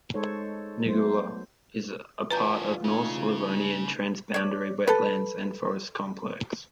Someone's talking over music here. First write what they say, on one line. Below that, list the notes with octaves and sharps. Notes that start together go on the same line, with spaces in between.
Nigula is a part of North-Livonian transboundary wetlands and forests complex.
G#3 D#4 A4 C5 C#5
F#3 A3 B3 C5
E3 C#4 D4 F4 B4 A#5 G6
C#3 A3 D#4
C#5 D5
A4 B4